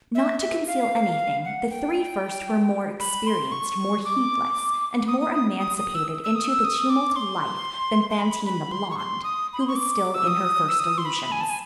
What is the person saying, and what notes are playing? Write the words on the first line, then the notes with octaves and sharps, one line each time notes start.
Not to conceal anything, the three first were more experienced, more heedless, and more emancipated into the tumult of life than Fantine the Blonde, who was still in her first illusions.
E5
E5
F5
F#5
G5
B5
C6
C#6
D6
D#6
D#6
D#6
D#6
D#6
E6
E6
D#6
E6
D#6
D6
C6
C6
B5
B5
C6
C#6
C6
D#6
B5
C6
C#6
D6
E6
D#6
E6
D#6
C6
B5
G#5
A5
G#5